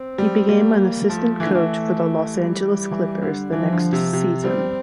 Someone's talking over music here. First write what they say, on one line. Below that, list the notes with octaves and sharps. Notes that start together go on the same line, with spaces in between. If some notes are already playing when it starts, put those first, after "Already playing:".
He became an assistant coach for the Los Angeles Clippers the next season.
Already playing: C4
G3
G3 A#3
F3 A3
E3
D3
E3
G3
E3
D3
E3 F3
D3
C3
C3
G3 C4